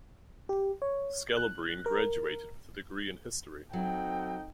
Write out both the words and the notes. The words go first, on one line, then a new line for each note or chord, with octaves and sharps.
Scalabrine graduated with a degree in history.
G4
C#5
F#6
A#4
F#3 C4 D#4 A4 G5